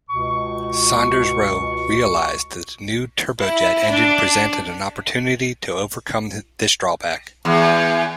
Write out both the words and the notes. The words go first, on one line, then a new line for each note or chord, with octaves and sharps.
Saunders-Roe realised that the new turbojet engine presented an opportunity to overcome this drawback.
C#2 B2 C#6
E4
D4
E2